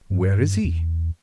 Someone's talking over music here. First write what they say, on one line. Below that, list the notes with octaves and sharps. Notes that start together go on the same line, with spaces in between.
"Where is he?"
G2
E2